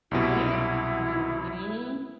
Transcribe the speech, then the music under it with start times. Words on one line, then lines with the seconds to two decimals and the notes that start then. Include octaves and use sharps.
Right? Mhm.
0.11 C2 F#2 B2 E4